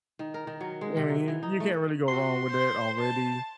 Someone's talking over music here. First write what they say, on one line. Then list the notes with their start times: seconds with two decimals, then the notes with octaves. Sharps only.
I mean, you can't really go wrong with that already
0.19 D#3
0.34 A#4
0.47 D#3
0.61 F#3
0.81 G#3
0.97 C3
1.09 F#3
1.28 E3
1.43 D#4
1.60 A3
2.09 F#4 C6
2.50 C5
3.01 A5